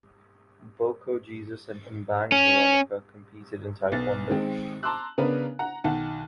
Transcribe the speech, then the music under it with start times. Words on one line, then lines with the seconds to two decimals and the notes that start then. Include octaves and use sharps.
Boko Jesus and Mbang Veronica competed in Taekwondo.
2.32 C#4
3.92 B1 B3 A6
4.29 D#3 G#3 C4
4.83 A5 A#5 C6 D6 E6 F#6
5.18 C#3 B3 D4 A#4 B4
5.59 F#5 A#5
5.84 B1 D#3 F#5 A5